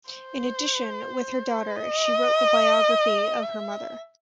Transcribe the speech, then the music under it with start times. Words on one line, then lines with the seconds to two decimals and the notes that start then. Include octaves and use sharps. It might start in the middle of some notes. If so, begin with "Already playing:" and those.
In addition, with her daughter, she wrote the biography of her mother.
0.10 C5
1.76 D#5
3.43 E5